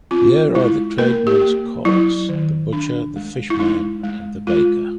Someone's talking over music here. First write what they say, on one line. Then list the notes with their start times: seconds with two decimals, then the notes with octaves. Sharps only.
Here are the tradesmen's carts — the butcher, the fish-man and the baker.
0.11 C4 F4
0.55 G#3 E4
0.98 A#3 A#4
1.27 G4
1.41 A#3
1.85 F#3 E4
2.29 D#3
2.73 D4
3.16 G#3
3.50 E4
3.59 G#3 D#4
4.03 G#3
4.47 G#3 F4